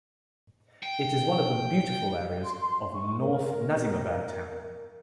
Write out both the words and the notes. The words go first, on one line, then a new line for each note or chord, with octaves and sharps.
It is one of the beautiful areas of North Nazimabad Town.
G5
C6
C#6
A#4